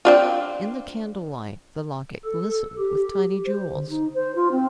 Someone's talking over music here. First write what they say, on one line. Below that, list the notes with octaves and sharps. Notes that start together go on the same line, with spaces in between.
In the candle-light the locket glistened with tiny jewels.
C4 D4 F4
A4
G4
C5
D3
D#4
C5
F4
C4